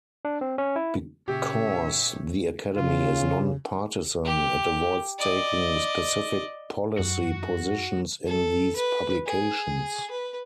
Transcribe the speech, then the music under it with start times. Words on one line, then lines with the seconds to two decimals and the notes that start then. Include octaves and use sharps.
Because the Academy is non-partisan, it avoids taking specific policy positions in these publications.
0.25 D4
0.41 C4
0.58 C#4
0.76 E4
1.28 A#2 C#3 C#4 G4 C#5 E5
2.76 C#3 F4
4.24 G4
5.18 D5 D#5
6.99 F#2 F#4
8.26 A4
8.76 B4
9.27 G#4
10.10 B4